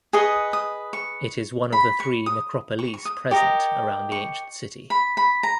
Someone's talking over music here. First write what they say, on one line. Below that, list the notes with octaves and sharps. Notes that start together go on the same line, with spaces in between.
It is one of the three necropoleis present around the ancient city.
G#4 B4 D#5 C#6
D#6
C#6
B5
C#6
D#6
C#6
C#6
D#6
G4 A#4 D#5 C#6
C#6
B5
B5
A#5